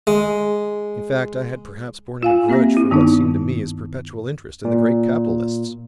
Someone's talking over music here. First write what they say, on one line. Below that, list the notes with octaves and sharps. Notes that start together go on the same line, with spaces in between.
In fact, I had perhaps borne him a grudge for what seemed to me his perpetual interest in the great capitalists.
G#3
F4 F5 G#5
A#3 C4 G4 E5 A#6
E4
G2 D#3 B3 D4 D#4
A#2